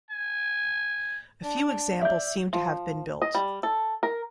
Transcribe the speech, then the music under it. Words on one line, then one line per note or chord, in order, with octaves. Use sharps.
A few examples seem to have been built.
G#5
D4
D5 E5 G6
F3
D#5
G3
A4
A#4